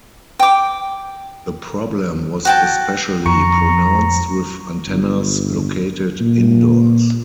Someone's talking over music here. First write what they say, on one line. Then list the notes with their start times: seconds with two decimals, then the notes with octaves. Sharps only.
The problem was especially pronounced with antennas located indoors.
0.39 G5 D6
2.45 F#4 G5 A5
3.26 F2 A#5 C#6
4.88 G1
6.21 A#2